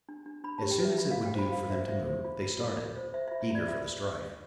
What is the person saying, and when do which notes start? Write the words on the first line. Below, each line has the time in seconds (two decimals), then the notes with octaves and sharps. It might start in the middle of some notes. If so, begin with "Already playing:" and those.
As soon as it would do for them to move, they started, eager for the strife.
0.09 D4
0.26 D4
0.44 D4 B5
0.58 G4 A5
0.71 G5
0.80 B4
0.85 E5
0.98 F4 E5
1.11 F5
1.16 F4
1.26 G5
1.35 C5 B5
1.52 F4 F5
1.70 C5 E5
1.88 C5 E5
2.06 C5
2.24 F4
2.42 F4
2.61 F4
2.79 F4
2.96 C5
3.14 C5 E5
3.28 F4 E5
3.41 E5
3.51 F4 D5
3.68 F4 E5